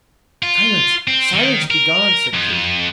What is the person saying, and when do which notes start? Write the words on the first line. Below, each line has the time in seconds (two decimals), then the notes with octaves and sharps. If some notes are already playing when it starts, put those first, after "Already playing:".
"Silence, silence, begone!" said Kitty.
0.43 F4
1.08 C4
1.33 D#3
1.70 A#4
2.34 F2